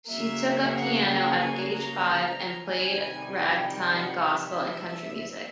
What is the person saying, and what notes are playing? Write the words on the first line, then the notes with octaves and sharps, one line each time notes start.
She took up piano at age five, and played ragtime, gospel, and country music.
C#3 F#3 A#3 E5
F#5
G5
G#5
A#5
C3 D#3 G3 G#5
G5
F#5
E5